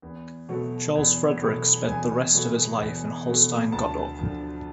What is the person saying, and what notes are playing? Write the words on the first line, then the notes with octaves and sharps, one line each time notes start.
Charles Frederick spent the rest of his life in Holstein-Gottorp.
E2
B2 F#3 A3
E2
B2 F#3 A3
E2 G#5
B2 F#3 A3
E2
B2 F#3 A3
D2 A5
D3 F3